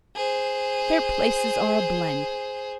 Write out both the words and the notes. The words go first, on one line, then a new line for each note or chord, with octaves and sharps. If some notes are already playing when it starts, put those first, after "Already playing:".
Their places are a blank.
G#4 C5